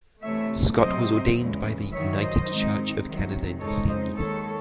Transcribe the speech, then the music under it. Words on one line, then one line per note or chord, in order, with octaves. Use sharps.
Scott was ordained by the United Church of Canada in the same year.
C3 E3 A3 C#5 E5
C3 F#3 C4 C5 D#5
E2 C#3 E3 G#3
F#2 D#3 F#3 C#5 E5
C5 D#5
G#2 D#3 G#3 C4 D#4
C3 D#3 F#3
C#3 G#3 C4 D#4 A4 C#5
C5 D#5
D#2 D#3 G#3 A4 C#5